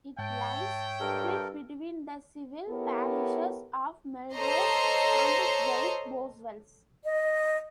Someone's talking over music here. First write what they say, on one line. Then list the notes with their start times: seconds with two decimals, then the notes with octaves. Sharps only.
It lies split between the civil parishes of Melrose and Saint Boswells.
0.19 G#2 C#5 E5 G5 A5
1.00 G2 A4 A#4
2.69 B3 E4 G4 A4 A#4 C#5
4.35 A4 C5 C#5 D#5 A#5 C6
7.04 D#5